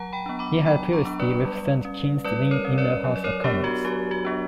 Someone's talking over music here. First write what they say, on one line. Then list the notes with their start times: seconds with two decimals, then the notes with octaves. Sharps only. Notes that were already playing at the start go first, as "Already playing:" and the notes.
He had previously represented King's Lynn in the House of Commons.
Already playing: F#3 F#5 A#5
0.13 G5 B5
0.26 B3 D4
0.39 B5 D6
0.65 F#3 G5 B5
0.93 A#5 C#6
1.05 B3 D4
1.20 B4 D5
1.45 G3
1.85 C#4
2.24 G3 B4 D5
2.51 A#4 C#5
2.65 C#4
2.78 B4 D5
3.04 F#3
3.16 D5
3.24 A#4 C#5
3.44 B3 D4 G4
3.64 F#4
3.85 F#3 G4
4.11 F#4
4.25 B3 D4